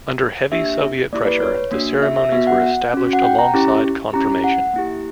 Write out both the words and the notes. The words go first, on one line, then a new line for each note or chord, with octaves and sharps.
Under heavy Soviet pressure the ceremonies were established alongside confirmation.
A#3 D4 G4 E5
A#3 E4 G4 D5
B4
C#5
A#3 D4 F#4
E5
E5
B3 F#4 E5
F#5
C#4 F#4
F#5
G5
A#5
C#4 E4 G4
C#4 E4 G4 A#5
F#5
A#3 E4 G4